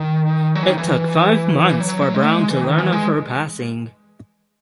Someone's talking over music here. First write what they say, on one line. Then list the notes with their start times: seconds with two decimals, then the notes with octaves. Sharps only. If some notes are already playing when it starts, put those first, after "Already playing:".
It took five months for Brown to learn of her passing.
Already playing: D#3
0.55 F#3
0.63 E3
0.70 D#3
0.78 E3
1.69 E3
1.80 F#3
2.01 F#3
2.14 G#3
2.23 A3
2.35 G#3
2.50 E3
2.64 D#3
2.78 E3
2.92 G#3